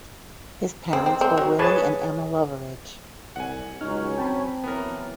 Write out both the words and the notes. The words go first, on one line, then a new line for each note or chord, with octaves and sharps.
His parents were Willie and Emma Loveridge.
C4
C4
C4
F#3
G#4 B4 C#5 G#5 A5
C2 F#5 G#5
C#2 F#3 C#4 D#4 C#5 F6
C4 G5 A5 B5
E3 F#3 B3 A#4